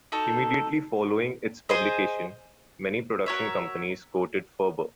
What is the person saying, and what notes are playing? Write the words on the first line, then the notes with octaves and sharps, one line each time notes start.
Immediately following its publication, many production companies courted Ferber.
D#4 F#4 A4
G#4 C5 D#5
F#4 A#4 C#5 E5